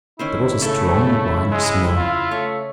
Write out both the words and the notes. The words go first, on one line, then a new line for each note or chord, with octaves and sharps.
There was a strong, winey smell.
D#3 C#4 E4 C5
C#3 A3 A4
G#3
F4
A3 C#5